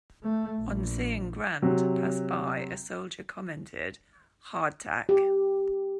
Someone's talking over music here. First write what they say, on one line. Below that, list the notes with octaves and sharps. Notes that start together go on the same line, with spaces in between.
On seeing Grant pass by, a soldier commented, "Hardtack".
A3
A#1
C3 F#3
G4